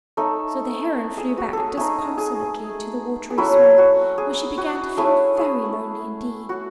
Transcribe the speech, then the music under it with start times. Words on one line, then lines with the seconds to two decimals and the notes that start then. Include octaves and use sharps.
So the Heron flew back disconsolately to the watery swamp, where she began to feel very lonely indeed.
0.17 A3 D#4 A4
1.18 G#4
1.38 F#4
1.53 G#4 A4
1.77 A3 D#4 G#4
2.18 G#4
3.30 G#4
3.38 F#3 C#4 E4 A4
3.78 F#4
4.18 G#4
4.58 F#4
4.97 A3 C#4 E4 G#4
5.38 G#4
6.49 F#4